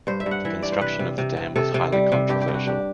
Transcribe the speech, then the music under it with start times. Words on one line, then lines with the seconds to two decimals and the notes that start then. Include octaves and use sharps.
The construction of the dam was highly controversial.
0.07 G2 C5
0.20 E5
0.26 G2
0.31 F#5
0.45 E3 E5
0.62 G2 D5
0.72 C5
0.81 C3 B4
0.99 C3
1.18 C3
1.37 C3
1.56 C3 A4
1.74 C3
1.92 G3
2.12 C3
2.29 G2 G4
2.41 G4
2.48 G2
2.54 F#4
2.67 D4 G4